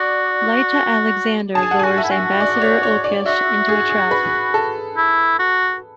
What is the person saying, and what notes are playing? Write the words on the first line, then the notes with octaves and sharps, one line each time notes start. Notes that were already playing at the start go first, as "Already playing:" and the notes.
Lyta Alexander lures Ambassador Ulkesh into a trap.
Already playing: F#4 D5
G#4 A5
G#5
F#5
F#4 G#5
E5
E4
F#4
D5
C#5
C#5
D5
F#4 E5
G#4
G#4
B4
A4
E4
F#4